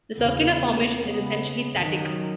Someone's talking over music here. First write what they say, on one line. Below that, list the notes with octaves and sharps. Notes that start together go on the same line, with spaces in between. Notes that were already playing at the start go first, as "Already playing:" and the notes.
The circular formation is essentially static.
E2 C#3 E3 B3
C#3 G#3 B3
F#2 D#3 F#3